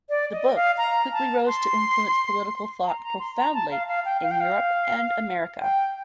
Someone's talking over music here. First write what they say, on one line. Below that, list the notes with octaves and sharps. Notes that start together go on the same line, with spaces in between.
The book quickly rose to influence political thought profoundly in Europe and America.
D5
D#5
F5
A#5
A5
C6
A#5
A#5
C6
A#5
A5
F5
F5
G5
F5
G5
F5
G5